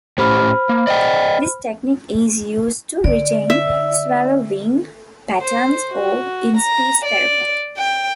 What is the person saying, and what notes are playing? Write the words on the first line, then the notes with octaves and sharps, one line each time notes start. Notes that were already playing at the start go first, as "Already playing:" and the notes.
This technique is used to retrain swallowing patterns or in speech therapy.
A2 C#4 G4 C5 B5 F6
A#3
D5 D#5 G5
D3 D5
E5
C5
F#4
A#5
D5
G5